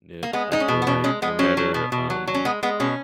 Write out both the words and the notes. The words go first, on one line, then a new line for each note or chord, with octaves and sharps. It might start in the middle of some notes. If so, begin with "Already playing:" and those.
Yep. I feel like no matter, um
A#3
G#3 B3
G#3 D#4
C#4
B2
B3
B2 C#4
G#3 C#4
G#3 B3
F#3 C#4
F#3
B2
B2
F#3
F#3
C#4
G#3 B3
G#3 B3
B2 C#4